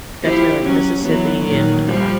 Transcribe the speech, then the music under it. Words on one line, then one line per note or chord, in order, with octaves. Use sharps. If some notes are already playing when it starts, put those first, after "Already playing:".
definitely, like, Mississippi and, uh,
F3 E4 G4
F#3 C#4
E3 F#3 B3
A#2 D#3 F#3
F3 G3